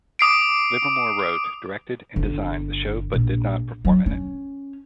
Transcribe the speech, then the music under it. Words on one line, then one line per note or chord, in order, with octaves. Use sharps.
Livermore wrote, directed and designed the show but did not perform in it.
D6 D#6 C7 D7
G1
A#1
F#3
C#4